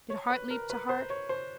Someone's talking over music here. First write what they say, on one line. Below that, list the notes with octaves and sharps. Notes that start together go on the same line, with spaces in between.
Did heart leap to heart?
C#5
B4
A#4
B4
C5
C#5
C5